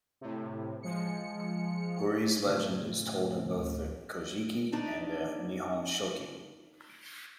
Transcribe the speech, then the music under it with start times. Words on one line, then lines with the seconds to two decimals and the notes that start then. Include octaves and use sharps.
Hoori's legend is told in both the "Kojiki" and the "Nihonshoki".
0.21 A2 C3
0.83 F3 G#3 C#7
2.45 A2 C#3 C#4
3.57 D2
4.72 D4 D#4 D5